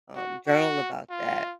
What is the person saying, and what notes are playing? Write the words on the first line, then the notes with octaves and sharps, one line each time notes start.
um, journal about that.
F#4
F#4
F4